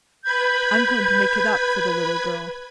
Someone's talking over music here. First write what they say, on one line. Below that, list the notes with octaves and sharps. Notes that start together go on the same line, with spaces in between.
I'm going to make it up for the little girl.
B4 B5 G6 G#6